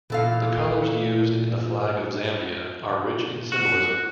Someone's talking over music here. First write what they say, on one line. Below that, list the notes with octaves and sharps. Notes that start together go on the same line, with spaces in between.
The colours used in the flag of Zambia are rich in symbolism.
A#2 E3 A4 F5
F#4